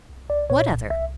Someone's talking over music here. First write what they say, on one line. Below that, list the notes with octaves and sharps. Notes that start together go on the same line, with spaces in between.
"What other?"
C2
C2 D5
A#2 C#5
C2
C2 E5